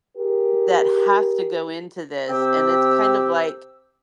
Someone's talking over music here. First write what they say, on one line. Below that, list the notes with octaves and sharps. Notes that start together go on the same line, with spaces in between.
that has to go into this, and it's kind of, like,
G4 G#4 A#4
C3 C4 G4 G5 E6